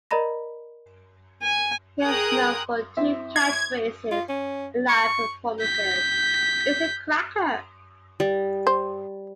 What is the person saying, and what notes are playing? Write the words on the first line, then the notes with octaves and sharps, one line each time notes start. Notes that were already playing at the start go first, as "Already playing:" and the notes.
He is known for two catchphrases in live performances: It's a cracker!
A#4 D5 D#5 A#5 B5 A#6
G#5
G#4 A#4 G5 A#5 D#6 F#6
C4 E4 E5
G#6
F4
C#4
C#6
G6 B6
G3
C5